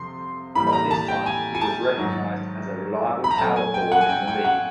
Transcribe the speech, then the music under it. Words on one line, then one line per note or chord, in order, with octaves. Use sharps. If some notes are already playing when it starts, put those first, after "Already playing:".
By this time, he was recognized as a reliable power forward in the league.
Already playing: F2 C3 F3 C6
A2 E3 G3 A#3 B5
B5
A#5
A5
G5
G#5
G#5
A5
G#2 D#3 F#3
B5
A#5
A#2 F#3 A3 A5
G#5
G5
F#5
G#5
G5
G5
F#5